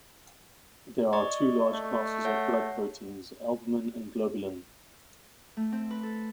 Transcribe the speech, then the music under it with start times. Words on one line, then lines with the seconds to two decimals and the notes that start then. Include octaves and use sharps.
There are two large classes of blood proteins: albumin and globulin.
1.13 D5 D#5 C#6
1.74 A3
2.25 C#5 E5 F#5
5.57 A3
5.72 C4
5.91 B4
6.03 A4